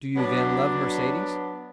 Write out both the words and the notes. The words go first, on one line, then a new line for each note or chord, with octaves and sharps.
"Do you, then, love Mercedes?"
F#3 B3 D4